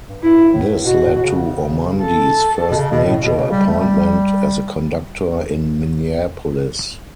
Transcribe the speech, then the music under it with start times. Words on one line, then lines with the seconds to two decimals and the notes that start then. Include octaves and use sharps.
This led to Ormandy's first major appointment as a conductor, in Minneapolis.
0.08 G2
0.23 G2 E4
0.38 G2
0.53 A2
0.67 G2
0.83 B2 F#4
1.02 A2
1.13 B2
1.22 C#3
2.02 A4
2.71 B2
2.76 C#3
2.91 B2
3.06 A2
3.22 B2
3.36 C#3
3.51 G3
3.66 A3
3.80 G3